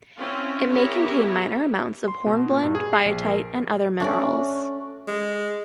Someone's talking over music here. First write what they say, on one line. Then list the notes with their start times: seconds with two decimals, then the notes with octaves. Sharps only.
It may contain minor amounts of hornblende, biotite and other minerals.
0.18 C4 C#4 E4 F4
0.71 B3 E4 G4 G#4 A#4 C#5
2.08 C6
2.26 B2
2.50 A#2
2.63 G2
2.75 G#4
2.93 C7
3.06 A#1
3.26 A#4
4.00 A3 C#4 D4 F#4 D5
5.08 G#3